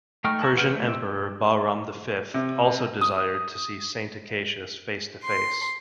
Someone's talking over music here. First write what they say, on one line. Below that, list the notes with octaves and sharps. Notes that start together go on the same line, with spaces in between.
Persian Emperor Bahram V also desired to see Saint Acacius face-to-face.
A3 D#4 G5 C#6 F6
A5 A#5 C#6
E3 B4 F#5 F6 G6
A3
C4 E5
C3
D#6
C6